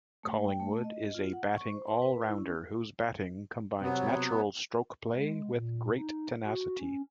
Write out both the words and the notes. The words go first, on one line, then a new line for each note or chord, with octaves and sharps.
Collingwood is a batting all-rounder, whose batting combines natural strokeplay with great tenacity.
A3
G5
A3
D#5
F4
F#5
C#6
C5
C6
B4
E4
C#4
C3 F#3 B3
G#3
A#2
D#4
F#4
C#4